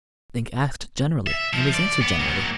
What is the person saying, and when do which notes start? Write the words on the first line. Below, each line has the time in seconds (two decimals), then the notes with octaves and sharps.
Link asked generally, and was answered generally.
1.27 E5
1.53 F3
1.74 D5
2.02 B3
2.19 F#3 A#3